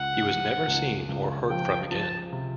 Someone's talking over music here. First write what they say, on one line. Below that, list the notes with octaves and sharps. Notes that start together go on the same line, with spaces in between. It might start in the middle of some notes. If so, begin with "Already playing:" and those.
He was never seen or heard from again.
Already playing: C#2 F#5
F3
C#2
C#2
F3 G5
F3 A5
C3